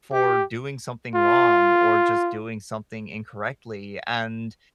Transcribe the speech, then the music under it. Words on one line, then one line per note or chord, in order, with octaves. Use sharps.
for doing something wrong or just doing something incorrectly and
G4
F4